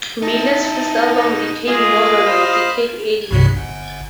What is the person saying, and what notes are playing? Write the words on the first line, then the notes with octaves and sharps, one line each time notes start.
Miller's first album came more than a decade earlier.
D#4 E4 A5
B2 D#4
G#3 A#3 F4 G#4 D#5
C5 F5 B5
C2 G2 C3
G1